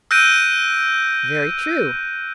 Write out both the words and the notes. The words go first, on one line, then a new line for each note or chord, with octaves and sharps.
Very true.
E6 F#6 G6 A#6 D7 D#7